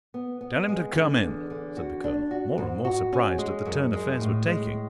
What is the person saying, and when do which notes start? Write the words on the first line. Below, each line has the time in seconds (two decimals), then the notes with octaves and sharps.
"Tell him to come in," said the colonel, more and more surprised at the turn affairs were taking.
0.14 B3
0.41 B3
0.69 G#3
0.96 D3
1.23 E2
1.50 D3
1.77 F#4
2.04 D4
2.31 F#4
2.58 G#2
2.85 F#4
3.12 C#4
3.38 G#3
3.65 F#2
3.93 G#3
4.20 A2
4.47 G#3